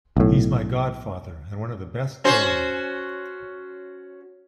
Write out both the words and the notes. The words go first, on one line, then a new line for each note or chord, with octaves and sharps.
He’s my godfather, and one of the best going.
B1 A2
C#4 F#4 C5